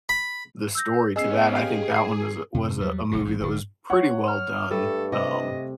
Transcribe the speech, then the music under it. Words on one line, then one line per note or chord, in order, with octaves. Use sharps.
the story to that. I think that one is a was a movie that was pretty well done, um,
B5
E6 G6 A#6
B3 C#4 G#4 D#5 E6 C7
G4 G#4 F5 G5
C7
F#2 C3
E2 F#3 G3
F1 B1 G#2 B2
A1 G2
D1 D3
C#5 F#5
F6
G2 G3 A3 A4
C3 D#5